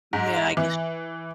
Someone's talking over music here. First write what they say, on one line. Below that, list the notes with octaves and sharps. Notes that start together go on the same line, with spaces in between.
Yeah, I guess.
G#2
E3